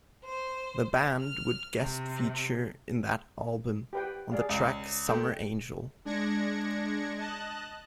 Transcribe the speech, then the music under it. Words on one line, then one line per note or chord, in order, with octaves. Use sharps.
The band would guest feature in that album, on the track "Summer Angel".
C5
F6
C3
G4 B4 G5
G#4 D5 F5
C#2
A3 G5
G#3 D4 G#6 A#6 C#7
D#5 A5 F#6